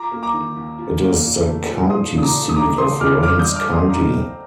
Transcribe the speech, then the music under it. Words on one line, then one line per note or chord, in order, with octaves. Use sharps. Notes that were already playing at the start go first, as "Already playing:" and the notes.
It is the county seat of Rains County.
Already playing: F4 A#5 D6
A#3
A#5 D6
D#3
D#2
F4
A#3
A#2
A3
F3
A#2 C6 D#6
A#2
D#6
A#5 D6
A3
D#6
D#4 A#5 D6
A3 C6 D#6
D#3 D6 F6
G2 D6 F6
D#6 G6
D#4
D6 F6
A3
C6 D#6
D#4 A#5 D6
C4